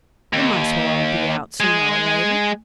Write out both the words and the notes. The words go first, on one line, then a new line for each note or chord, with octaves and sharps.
The Mice will all be out sooner or later.
D#2
G#3 G#4